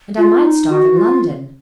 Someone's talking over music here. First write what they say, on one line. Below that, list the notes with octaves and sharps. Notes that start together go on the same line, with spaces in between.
'And I might starve in London.
F4
D#4
F#4
F4